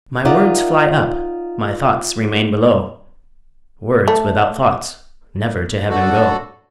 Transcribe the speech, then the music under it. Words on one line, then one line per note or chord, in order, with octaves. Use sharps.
My words fly up, my thoughts remain below: Words without thoughts never to heaven go.
D#4 F4 A#4 D5 E5 F#5
A3
D3 F#4 A4